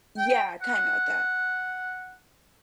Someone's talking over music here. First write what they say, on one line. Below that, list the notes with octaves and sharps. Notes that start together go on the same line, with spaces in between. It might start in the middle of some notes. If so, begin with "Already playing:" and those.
Yeah. Kinda like that.
G5
F#5